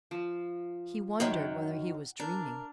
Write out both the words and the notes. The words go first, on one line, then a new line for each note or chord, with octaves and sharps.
He wondered whether he was dreaming.
F3
F#2 D#3 F#3 F#5 G5
D4 A#4